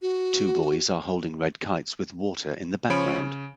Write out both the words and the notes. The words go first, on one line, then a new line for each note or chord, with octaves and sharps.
Two boys are holding red kites with water in the background.
F#4
C#3 F3 C#4 C#5 B5 D7
C#3